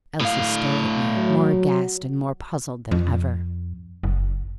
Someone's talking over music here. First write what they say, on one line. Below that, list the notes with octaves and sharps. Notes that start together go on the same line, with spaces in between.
Elsie stared at me, more aghast and more puzzled than ever.
A2 F5
F#3
F2
F#1